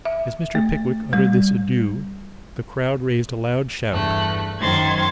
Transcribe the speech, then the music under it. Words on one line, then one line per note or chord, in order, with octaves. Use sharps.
As Mr. Pickwick uttered this adieu, the crowd raised a loud shout.
E5
A3
G3
E2 G2 A3 F#6
F#2 D#3 C5 C6 G#6 A6